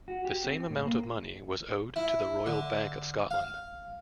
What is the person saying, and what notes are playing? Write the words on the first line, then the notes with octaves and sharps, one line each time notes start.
The same amount of money was owed to the Royal Bank of Scotland.
F#4
G4
C4
A2
A#3
E4
D3
F5